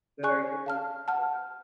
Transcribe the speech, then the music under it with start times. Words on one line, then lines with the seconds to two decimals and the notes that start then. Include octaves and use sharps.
The writer was his brother.
0.23 G#4 D5 G#5 C#6 F#6
0.66 F5 A5 F6
1.08 F#5 A5 F6